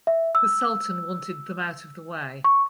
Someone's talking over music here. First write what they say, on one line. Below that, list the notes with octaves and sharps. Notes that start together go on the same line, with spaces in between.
The sultan wanted them out of the way.
E5
E6
C#6